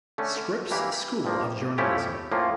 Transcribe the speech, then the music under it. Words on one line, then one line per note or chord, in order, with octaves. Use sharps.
Scripps School of Journalism.
D3 A3 C#4
G2 E3 A#3 E4 G4
G2 F3 A#3
F3 A3 C#4 E4 G4
A2 F3 A#3 C#4 F4